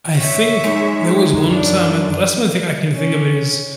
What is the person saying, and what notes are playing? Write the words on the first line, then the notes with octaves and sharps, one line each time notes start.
I think there was one time and the last one I think I can think of it is
C#5 E5
G#3 D#4
F#2 D4
C#4